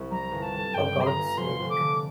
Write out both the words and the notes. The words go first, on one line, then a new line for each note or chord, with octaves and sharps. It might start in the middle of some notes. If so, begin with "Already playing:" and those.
For God's sake.
Already playing: C2 C4
G3 A#5
G1
A5
D3
G2 G5
G3 C6
A#5
G1
F1 C6
F1
D6
D3